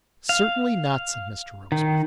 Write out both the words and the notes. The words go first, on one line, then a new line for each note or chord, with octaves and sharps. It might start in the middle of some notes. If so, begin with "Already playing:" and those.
Certainly not, said Mr Rokesmith.
F5
D#3